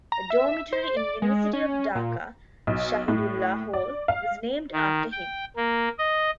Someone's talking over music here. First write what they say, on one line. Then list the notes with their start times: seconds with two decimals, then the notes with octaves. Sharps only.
A dormitory in University of Dhaka, Shahidullah Hall, was named after him.
0.12 A#5
0.30 E5
0.73 C5
0.97 D5
1.22 G#3
1.53 C#4
1.95 A#2
2.67 B1
3.08 A2
3.73 D5
4.08 F5
4.73 D#3
5.12 G5
5.56 A#3
5.99 D#5